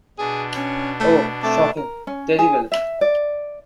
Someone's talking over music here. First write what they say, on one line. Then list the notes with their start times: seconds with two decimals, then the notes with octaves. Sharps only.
Oh, shocking — terrible!
0.19 B2 D4 G#4
0.56 C#4
1.00 A3
1.43 A3 C4 A5 D6
1.77 A#4
2.07 C#4
2.39 G#4
2.72 E5
3.01 D5